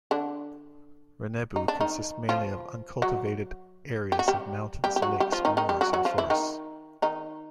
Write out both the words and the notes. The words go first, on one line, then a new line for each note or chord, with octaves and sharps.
Rennebu mainly consists of uncultivated areas of mountains, lakes, moors, and forests.
D3 D4
D#4
D4
D#3 D#4
F3 F4
F#3 F#4
G4
F#4
G3 G4
G3 G4
G4
F#3 F#4
G3 G4
F3 F4
D#3 D#4
D#3 D#4
G3 G4
F#3 F#4
F#3 F#4
F3 F4
E3 E4
D#3 D#4
D#3 D#4